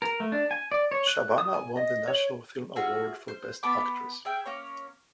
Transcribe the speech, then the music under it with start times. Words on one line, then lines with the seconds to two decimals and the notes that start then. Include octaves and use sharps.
Shabana won the National Film Award for Best Actress.
0.02 A#4
0.20 A3
0.32 D4
0.51 G#5
0.72 D5
0.91 C#5
1.07 F#6
1.38 D#6
1.54 G#5
1.77 D#5
2.08 C#5
2.76 F4 F#4 G#4 E5
3.28 C5
3.63 B3 A5 B5 D6
4.25 G#4 E5 G5
4.45 A#3 C#4 C#5